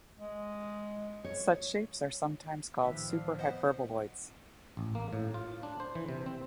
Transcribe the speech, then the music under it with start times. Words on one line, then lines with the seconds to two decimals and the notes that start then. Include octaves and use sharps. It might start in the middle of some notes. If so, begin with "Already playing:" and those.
Such shapes are sometimes called super-hyperboloids.
0.19 G#3
1.25 C#5
2.84 A2 D#3 F3 G4 B4 E5
3.09 D4 D5 F5
3.39 B3 C5 D#5 F#5
4.77 A1
4.95 A#3
5.13 A2
5.34 F4
5.63 D4
5.80 C5
5.95 E3
6.09 C3
6.26 C4